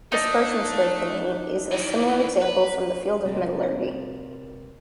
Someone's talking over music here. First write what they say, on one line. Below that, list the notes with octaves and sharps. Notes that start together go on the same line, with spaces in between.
Dispersion strengthening is a similar example from the field of metallurgy.
A3 D4 D#4 A4
D#3 E3
B4
C3 G3 B3 C4 A#4